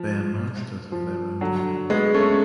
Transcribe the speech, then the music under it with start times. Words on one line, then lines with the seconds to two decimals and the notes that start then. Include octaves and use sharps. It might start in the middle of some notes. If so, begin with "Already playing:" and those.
They are masters of their own fate.
Already playing: F3
0.92 F3
1.41 D3 F#3
1.90 G#3 B3
2.14 A3 C#4